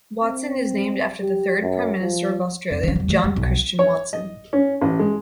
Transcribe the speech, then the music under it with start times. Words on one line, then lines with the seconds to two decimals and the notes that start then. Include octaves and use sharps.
Watson is named after the third Prime Minister of Australia, John Christian Watson.
0.22 C4
1.21 G4
1.62 F#2
2.01 F3
2.71 F2
2.83 D#3 C#4
2.96 E2 G3
3.09 E3 A3
3.24 D#2 G#3
3.36 B1
3.79 C#5
4.13 D#5
4.53 C#4
4.81 A1
4.99 G#3